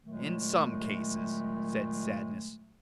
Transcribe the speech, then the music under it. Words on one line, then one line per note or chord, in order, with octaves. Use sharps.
"In some cases," said Sadness.
A#2 D#3 F#3 G#3 A3